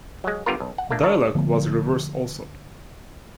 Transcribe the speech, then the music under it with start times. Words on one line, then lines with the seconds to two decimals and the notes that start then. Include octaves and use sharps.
Dialogue was reversed also.
0.24 F#3 G#3
0.46 D3 G3 B3 F4 A#4
0.60 B1
0.78 F#5
0.91 A3 A#3 D4
1.03 D4 A#4 C#5
1.35 D3 F3 A3 B3